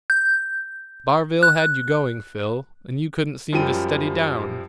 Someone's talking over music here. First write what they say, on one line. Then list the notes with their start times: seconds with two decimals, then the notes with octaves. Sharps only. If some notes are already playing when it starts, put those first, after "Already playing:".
Barville had you going, Phil, and you couldn't seem to steady down.
0.10 G6
1.43 F#6
3.53 F#2 F3 G3 G5 D#7